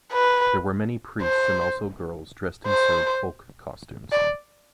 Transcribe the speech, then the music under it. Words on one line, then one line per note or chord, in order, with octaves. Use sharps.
There were many priests and also girls dressed in Serb folk-costumes.
B4
C5
C5
D5